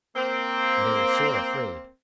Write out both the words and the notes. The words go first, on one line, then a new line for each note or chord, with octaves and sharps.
And they were sore afraid.
A#3 C4